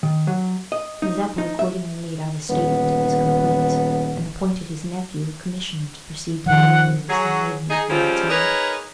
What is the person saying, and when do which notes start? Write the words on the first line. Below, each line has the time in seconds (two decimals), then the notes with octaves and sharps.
Mazeppa accordingly made out a statement of his complaints, and appointed his nephew a commissioner to proceed to head-quarters and lay them before the Czar.
0.03 D#3
0.27 F#3
0.72 D#5
1.02 D#4
1.38 D#4
1.59 E5
2.49 D#1 B3
6.46 D#3 F3 F#5
7.10 F#3 G#4
7.70 D#4 G#4
7.90 F3 G3 G#3 C4 C#4 F4
8.30 D#4 G#4 A#4 B4 C#5